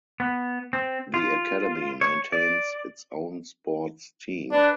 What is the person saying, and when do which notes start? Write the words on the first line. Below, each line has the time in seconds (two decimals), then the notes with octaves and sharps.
The academy maintains its own sports team.
0.20 B3
0.73 C4
1.14 F4
2.01 C#5
2.32 D5
4.52 D4 B4